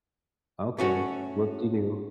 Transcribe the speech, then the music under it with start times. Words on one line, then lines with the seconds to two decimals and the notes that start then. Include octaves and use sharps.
"Okay, whoop-de-doo."
0.78 A3 C#4 F#4